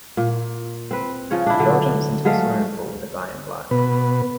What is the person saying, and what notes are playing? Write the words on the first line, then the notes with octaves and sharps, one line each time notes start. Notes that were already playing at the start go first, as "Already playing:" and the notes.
A girl jumps into a swimming pool with a guy in black.
A#2
C4 B4
C#3 F3 C#4 C#5
D4 E4
D3 F#3
F#3 G#3 A3 F5
B2 B4